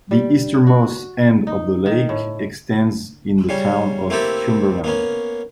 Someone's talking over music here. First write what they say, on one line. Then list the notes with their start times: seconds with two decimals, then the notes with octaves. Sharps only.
The easternmost end of the lake extends into the town of Cumberland.
0.11 G3
0.67 F#4
1.47 D#4
1.86 D#3
2.09 A2
3.49 C#3 G3 C#4
4.10 A3 A#3 C4 E4 G4 A4
4.84 A#3 B3 C#4